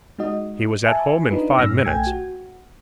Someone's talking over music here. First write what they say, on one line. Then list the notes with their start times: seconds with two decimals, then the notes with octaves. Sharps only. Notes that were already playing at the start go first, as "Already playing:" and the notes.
He was at home in five minutes.
0.19 G#3 D#4 F#4 D#5
0.84 E5 G#5 A5
1.31 D4 D#4 F4 B4
1.58 G2 A#2 C#4 E6 F6 A#6
1.85 B1 A3 G5 G#5 G#6
2.07 F#4